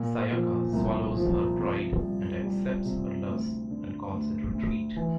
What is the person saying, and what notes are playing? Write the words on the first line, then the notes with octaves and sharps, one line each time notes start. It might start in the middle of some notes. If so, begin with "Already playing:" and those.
Sayaka swallows her pride and accepts her loss and calls a retreat.
Already playing: A#2
F3
C2
F3
C3
G3
G3
C3
D2
D3
D2
D2
E3